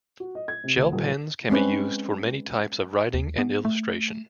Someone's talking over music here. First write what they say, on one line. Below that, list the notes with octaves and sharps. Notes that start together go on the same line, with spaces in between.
Gel pens can be used for many types of writing and illustration.
F#4
D#5
G#6
C3
D2
D#1
G#3 C4 C#4 B4
D#2
B3
A3